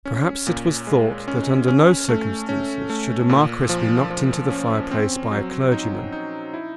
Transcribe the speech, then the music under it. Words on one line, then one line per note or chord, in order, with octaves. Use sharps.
Perhaps it was thought that under no circumstances should a Marquis be knocked into the fireplace by a clergyman.
C#4
A#2
G#3
C#4
C#4
A3
C#4
A3
A#2
F3
F3
C#4
C4
F#3
D#4
D#4
E4